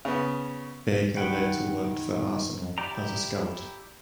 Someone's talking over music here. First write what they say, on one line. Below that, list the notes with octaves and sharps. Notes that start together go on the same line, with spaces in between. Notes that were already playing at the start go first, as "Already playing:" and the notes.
Baker later worked for Arsenal as a scout.
C#3 B3
D#3 F#5 G5 B5
E4 G4 D5 A#5